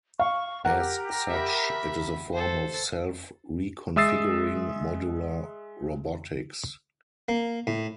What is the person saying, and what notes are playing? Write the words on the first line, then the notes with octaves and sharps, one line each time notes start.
As such, it is a form of self-reconfiguring modular robotics.
F5 C#6
G4 A#4 F#5
E5 B5
A4 C5
G#3 E5 D#6 E6 A6 C7
A#3
A2